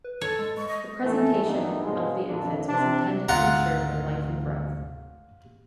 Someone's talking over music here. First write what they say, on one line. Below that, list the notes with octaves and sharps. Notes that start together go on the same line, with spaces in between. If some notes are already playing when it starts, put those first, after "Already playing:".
The presentation of the infants was intended to ensure their life and growth.
B4
A4 C#5
G#3
G#3 C#6
D#5
F2 A2 E3 A3
G2 E3 A#3 B3 D#4
G2 B2 F3 G#3
A#1 F2 D3 D4
C3 D4
D2 G#2 C3 F4 F#5 A#5